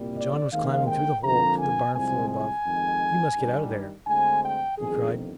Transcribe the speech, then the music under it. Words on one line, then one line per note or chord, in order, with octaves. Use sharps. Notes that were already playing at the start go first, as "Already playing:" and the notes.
But John was climbing through the hole to the barn floor above. "You must get out of there!" he cried.
Already playing: C2 A#2 G3
D5
D#2 D#3 G#3 C4 F5
G5
F2 D3 F3 A#3 A#5
G#5
C2 C3 F3 G#3 C4 G#5
G#5
F2 D#3 G#3
G2 D#3 G3
D2 D3 G#3 C4 G#5
G5
G1 F2 D#3 G#4